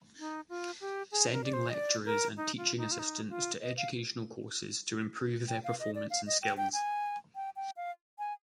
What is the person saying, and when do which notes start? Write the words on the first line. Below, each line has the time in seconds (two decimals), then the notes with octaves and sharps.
Sending lecturers and teaching assistants to educational courses to improve their performance and skills.
0.19 D#4
0.49 F4
0.81 G4
1.11 G#4
1.32 A#4
1.44 D5
1.53 C5
1.69 D#5
1.74 D5
2.06 A#4
2.37 D#4
2.57 F4
2.78 D#4
2.92 F4
2.99 D#4
3.30 F4
3.62 D#5
3.77 F5
5.48 G5
5.64 F5
5.80 D#5
5.95 D5
6.10 F5
6.27 D#5
6.42 G5
6.57 G5
6.73 G#5
7.35 G5
7.56 G5
7.77 F5
8.19 G#5